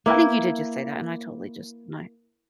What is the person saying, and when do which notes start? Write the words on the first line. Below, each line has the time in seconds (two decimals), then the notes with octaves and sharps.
I think you did just say that, and I totally just my
0.06 A#3 E4 B4